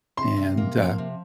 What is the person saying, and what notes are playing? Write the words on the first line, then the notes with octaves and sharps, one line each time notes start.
and, uh,
C3 C6
C3
A#3
F3
C3